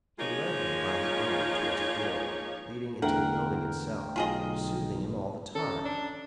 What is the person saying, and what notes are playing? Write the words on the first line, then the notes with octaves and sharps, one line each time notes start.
He led him by the arm towards a door leading into the building itself, soothing him all the time.
F3 G#3 A#3 D#4 F4 C#5
E2 D3 A3 A#4 F#5 G5
B1 F4 G#4 D#5
C#4 A4 A#5
D4